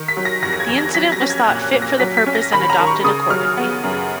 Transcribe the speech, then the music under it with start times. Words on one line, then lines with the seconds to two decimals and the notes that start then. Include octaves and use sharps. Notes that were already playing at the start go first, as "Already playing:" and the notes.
The incident was thought fit for the purpose and adopted accordingly.
Already playing: D#3
0.08 B6
0.17 F#3
0.25 A#6
0.42 F2 A#6
0.53 A#6
0.60 G#6
0.68 F2
0.78 A#6
0.95 F#3 B6
1.12 A#6
1.21 C#4
1.30 G#6
1.48 A#2 F#6
1.74 A#2
1.82 A#6
2.00 F#3 B6
2.17 B6
2.26 C#4
2.35 A#6
2.52 D#3 B5
2.70 A#5
2.79 D#3
2.87 C#6
3.04 C#3 D#6
3.30 F#3 F6
3.57 B3
3.83 F#2